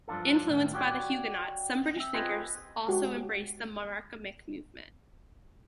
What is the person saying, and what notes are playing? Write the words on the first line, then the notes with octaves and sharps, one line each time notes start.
Influenced by the Huguenots, some British thinkers also embraced the Monarchomaque movement.
G2 F3 A#3 D4 F4 A4
A2 D#3 E3
F#4 G4 A4 C#5 D5
C4 E5
F4 G4 G#4 B4 C5 D#5
G#3 F#4 G4